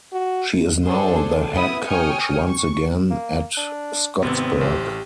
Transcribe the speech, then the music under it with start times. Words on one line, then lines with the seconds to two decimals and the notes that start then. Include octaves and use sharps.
She is now the head coach once again at Scottsburg.
0.12 F#4
0.85 D4 G#4 A4 C5
1.55 B3 E4 D#6
1.87 C#5 G5 G#5 D#6 F6 C#7
2.47 C#6
3.11 A#3
3.57 D4
4.22 G#1 C3 B3 C4
4.61 A1 G4